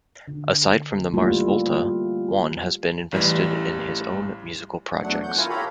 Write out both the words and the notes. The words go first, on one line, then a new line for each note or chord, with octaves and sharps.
Aside from The Mars Volta, Juan has been invested in his own musical projects.
D3
G3 A3 A#3 E4 F4
A1 E3 G3
E2 F#3 A3 D4 F#5
F#5 G6
E4 F4 A#4 C#5 F5 G#5
G4 A4 C#5 F5 A#5 B5